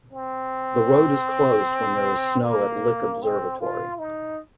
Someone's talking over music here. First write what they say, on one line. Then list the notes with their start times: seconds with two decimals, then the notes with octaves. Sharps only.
The road is closed when there is snow at Lick Observatory.
0.13 C4
2.44 A#3
3.22 C4
3.61 F4
3.99 D#4